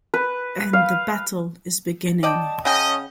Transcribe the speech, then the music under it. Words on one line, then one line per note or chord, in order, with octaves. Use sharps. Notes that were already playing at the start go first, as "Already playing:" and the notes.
And the battle is beginning.
B4
F5
D5 D#5 G5 A5
C#3 C#4 D#5 F#5 G5 A5